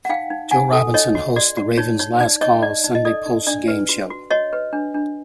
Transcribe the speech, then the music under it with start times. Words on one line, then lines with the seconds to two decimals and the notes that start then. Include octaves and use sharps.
Joe Robinson hosts the "Ravens' Last Call" Sunday post-game show.
0.05 F#5
0.09 D#4 F5 G5
0.30 D#4
0.51 D#4 F#5 G#5
0.72 A4
0.94 D#4 C#5 D#5
1.15 F#4
1.36 F#4 D5
1.57 F#4
1.78 D#4 C#5
1.99 D#4 C#5
2.20 D#4 D5
2.41 D#4 C#5 D#5
2.63 D#4 D5
2.84 D#4
2.95 D#5
3.05 A4 D5
3.26 D#4
3.47 D4 D5
3.68 B4
3.89 F#4
4.10 F#4
4.31 F#4 C#5 D#5
4.53 B4
4.73 D4
4.94 D4